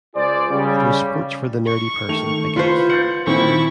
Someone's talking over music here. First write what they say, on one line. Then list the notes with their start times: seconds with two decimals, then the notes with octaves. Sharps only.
It was sports for the nerdy person, I guess.
0.15 C#2 F4 G#4 C5 D5
0.50 C#3 G3
1.67 C#6
2.08 D#3 A3 F7
2.56 F4 B4 C5 C6
2.89 F#5 G6 A6 C#7
3.27 A#2 D#3 C4 E4 C#6